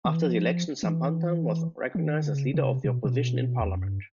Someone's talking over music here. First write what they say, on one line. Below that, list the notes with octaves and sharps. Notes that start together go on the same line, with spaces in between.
After the election Sampanthan was recognised as Leader of the Opposition in parliament.
D#3
E3
F3
E3
E3
D#3
D3
C#3
C#3
C3
B2
B2
E2
F2
F#2
G2